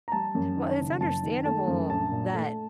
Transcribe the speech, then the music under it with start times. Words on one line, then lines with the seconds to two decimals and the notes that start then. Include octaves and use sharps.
Well, it's understandable that,
0.08 A#5
0.12 G3 A5
0.35 F#2
0.56 D#3
0.79 F#1
1.00 F#2 A5
1.23 D#3
1.45 A3 A5
1.68 F#2
1.90 A#1 A5
2.12 A#2
2.34 A3